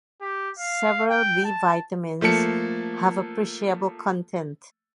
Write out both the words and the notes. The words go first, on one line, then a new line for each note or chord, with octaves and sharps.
Several B vitamins have appreciable content.
G4
F5
G5
A5
F3 A3 A#3 A4 C#7